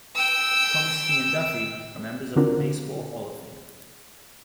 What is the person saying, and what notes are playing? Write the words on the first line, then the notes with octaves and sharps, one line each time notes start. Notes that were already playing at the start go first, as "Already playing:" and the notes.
Comiskey and Duffy are members of the Baseball Hall of Fame.
G5 E6
D3 C4 D4 F4 F#4 A#4